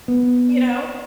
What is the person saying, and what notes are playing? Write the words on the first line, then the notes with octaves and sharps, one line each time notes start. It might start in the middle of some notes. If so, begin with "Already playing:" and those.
you know,
B3